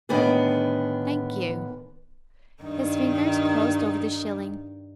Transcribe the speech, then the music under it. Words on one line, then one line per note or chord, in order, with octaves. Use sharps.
"Thank you," his fingers closed over the shilling.
A2 D3 D#3 B3 D4 G#4
G2 D#3 D#4